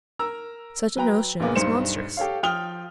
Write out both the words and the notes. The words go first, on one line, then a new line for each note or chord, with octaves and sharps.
Such a notion is monstrous.
A#4 A#5 E6
F#3 B4 G5 A#5
A#1 A#2 C#3 A#3 B3 D6
B1 G2 D#4 C5 C#7 E7
G4 A4 C#5 F5
F3 G5 D#6 F6 F7 G7